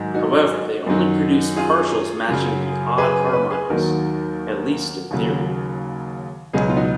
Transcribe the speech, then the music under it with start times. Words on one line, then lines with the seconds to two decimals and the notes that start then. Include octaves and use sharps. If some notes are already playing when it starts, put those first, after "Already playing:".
However they only produce partials matching the odd harmonics, at least in theory.
Already playing: G#2 D#3 F#3
0.14 D#4 F#4
0.86 F#2 D#3 F#3
1.56 F4 G#4
2.28 F#2 C#3 F#3
2.98 G#4 B4
3.34 B4
3.50 G#4 B4
3.70 D#2 D#3 F#3 F#4 A#4
5.11 D#2 C#3 F#3
6.53 C#2 B2 F#3 G#4
6.61 F#4
6.69 F4
6.76 D#4 F#4